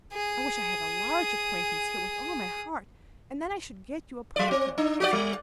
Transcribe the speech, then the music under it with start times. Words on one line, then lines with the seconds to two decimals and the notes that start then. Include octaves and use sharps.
I wish I had a large acquaintance here with all my heart, and then I should get you a partner.
0.13 G#4 D#6
4.36 F#3 D5
4.51 C4
4.78 D4
5.00 F#4 G4 D5
5.13 G3